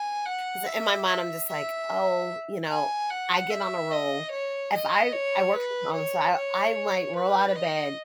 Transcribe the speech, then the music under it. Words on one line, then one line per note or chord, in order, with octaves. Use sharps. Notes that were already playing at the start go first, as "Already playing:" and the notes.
'cause in my mind, I'm, just, like, "Oh, you know." I get on a roll. If I I work on the side, I I might roll out of bed
Already playing: G#5
F#5
E5
E5
E5
G#5
F#5
E5
D#5
C#5
D#5
C#5
B4
C#5
C#5
B4
D#5